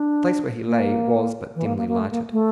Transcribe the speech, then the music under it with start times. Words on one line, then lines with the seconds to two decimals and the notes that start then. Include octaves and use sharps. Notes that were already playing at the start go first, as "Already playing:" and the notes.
The place where he lay was but dimly lighted.
Already playing: D4
0.67 A#3
1.55 E3
1.65 A#3
1.78 A#3
1.88 A#3
1.99 A3
2.11 A#3
2.32 A3